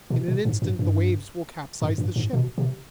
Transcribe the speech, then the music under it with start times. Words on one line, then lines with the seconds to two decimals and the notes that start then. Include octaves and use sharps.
In an instant the waves will capsize the ship!
0.10 B2
0.28 B2
0.45 G#2
0.62 G2
0.79 G2
1.82 G2
1.98 G2
2.16 G#2
2.33 B2
2.58 C3